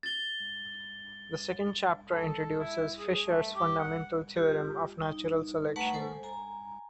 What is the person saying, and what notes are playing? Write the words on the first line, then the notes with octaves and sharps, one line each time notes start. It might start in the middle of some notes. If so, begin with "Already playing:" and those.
The second chapter introduces Fisher's fundamental theorem of natural selection.
A6 G7
A4
E4
G#4
A3
G4
F#5
F4 G4
D#4
A3 B4 F#5 A5 A#5 C#6
A4 C5 G#5
G#5 A#5